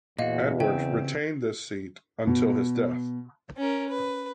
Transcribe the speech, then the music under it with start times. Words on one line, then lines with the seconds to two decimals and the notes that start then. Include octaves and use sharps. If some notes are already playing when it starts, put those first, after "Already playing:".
Edwards retained this seat until his death.
0.19 E2 A#2 F#4 D#5 F5
0.60 C#3 C4 G5
2.27 B2
3.57 C#4 A#4
3.89 B4